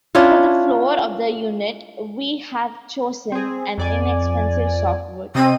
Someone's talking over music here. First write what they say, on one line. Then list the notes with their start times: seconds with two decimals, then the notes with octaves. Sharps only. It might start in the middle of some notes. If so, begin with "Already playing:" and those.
For the floor of the unit, we have chosen an inexpensive soft wood.
0.15 C#4 D4 E4 F4
3.32 C4 G#4
3.78 F2 D5 G#5
5.35 C3 C4 D#5 D#7